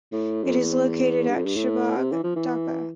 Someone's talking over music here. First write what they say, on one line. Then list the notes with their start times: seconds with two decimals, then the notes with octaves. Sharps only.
It is located at Shahbag, Dhaka.
0.12 A2
0.44 F2
0.59 E2
1.29 G2
1.35 F2
1.45 G2
1.56 A2
1.97 C3
2.12 E3
2.24 F3
2.36 E3